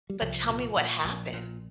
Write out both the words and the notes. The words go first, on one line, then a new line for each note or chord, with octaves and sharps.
But tell me what happened.
G3
C2 F3
A#2
A#2
A#1
A#2